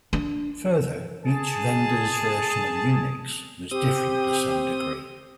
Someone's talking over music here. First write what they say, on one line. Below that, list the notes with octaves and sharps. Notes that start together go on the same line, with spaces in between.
Further, each vendor's version of Unix was different to some degree.
D4
G#4 A5
C4 G4 D#6